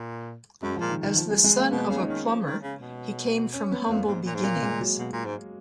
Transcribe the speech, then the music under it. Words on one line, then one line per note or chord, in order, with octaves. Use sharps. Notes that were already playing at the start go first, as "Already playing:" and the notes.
As the son of a plumber, he came from humble beginnings.
Already playing: A#2
F#2 G#3
A#2 F3
D#3
D#3
F3
G#3
G#3
A#3
B2 B3
C#3 C#4
D#4
D#3 C#4
F3
D#3
C#3
B2
C#4
B3
F2 A#3
G#2
A#2
G#2
A#2 A#3
A#3
G#3
F#3
B2
A#2
G#2